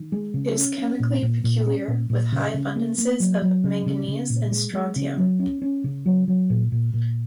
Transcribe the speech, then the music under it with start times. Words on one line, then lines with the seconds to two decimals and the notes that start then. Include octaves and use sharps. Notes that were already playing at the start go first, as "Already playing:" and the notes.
It is chemically peculiar, with high abundances of manganese and strontium.
Already playing: D#3
0.12 G#3
0.34 C#3
0.56 C#4
0.78 C#4
1.00 A#2
1.22 A#2
1.44 A#2
1.66 C#4
1.88 A#2
2.10 A#2
2.32 C#3
2.54 C#3
2.76 A#3
2.98 A#3
3.20 F#3
3.42 F#3
3.64 C#3
3.86 C#3
4.08 C#3
4.30 A#2
4.52 G#3
4.74 G#3
4.96 C#3
5.17 F#3
5.39 C#4
5.62 C#4
5.84 C#3
6.06 F#3
6.28 F#3
6.50 A#2
6.72 A#2
6.93 A#2